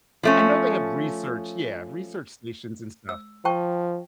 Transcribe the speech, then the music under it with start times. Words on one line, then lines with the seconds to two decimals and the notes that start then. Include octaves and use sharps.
I know they have research, yeah, research stations and stuff.
0.23 F3 A3 C#4
3.09 E6
3.45 F3 G5 A5 C#6